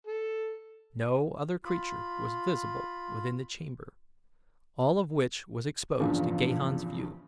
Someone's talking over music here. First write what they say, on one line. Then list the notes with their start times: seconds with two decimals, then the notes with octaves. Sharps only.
No other creature was visible within the chamber, all of which was exposed to Gahan's view.
0.07 A4
1.64 F4 B5
5.99 A#1 E2 G2 C#3 F3